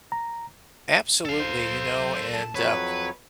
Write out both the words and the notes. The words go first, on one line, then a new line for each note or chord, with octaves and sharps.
Absolutely, you know, and, uh,
A#5
A4 F5
C5
A5
F2 F#3 B4 C#5